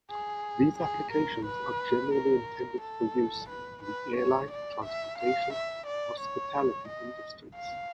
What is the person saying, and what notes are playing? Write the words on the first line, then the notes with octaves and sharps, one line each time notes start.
These applications are generally intended for use in the airline, transportation, and hospitality industries.
G#4
G#4
A#4
B4
A#4
A4
B4
B4
C#5
D5
E5
F5
E5
D5
C#5
D#5
F5